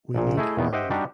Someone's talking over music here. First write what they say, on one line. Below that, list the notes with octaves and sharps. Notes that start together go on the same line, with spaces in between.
We need harmony.
A#1 A#2
A3 E4 G#4 D#5
E2 D#3 B3
G4 C5 D#5 E5 F#5 G5
G3 D4 D#4 F#4 G4